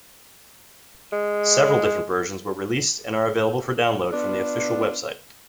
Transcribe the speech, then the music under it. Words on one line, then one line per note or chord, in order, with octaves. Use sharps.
Several different versions were released and are available for download from the official website.
G#3
B3 D4 F4